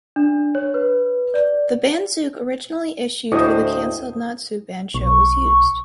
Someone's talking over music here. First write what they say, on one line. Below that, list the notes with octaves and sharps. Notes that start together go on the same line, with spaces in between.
The banzuke originally issued for the cancelled Natsu basho was used.
D4
C#5
B4
D5
D2 A2 E4 C5 D#5
B1 C#6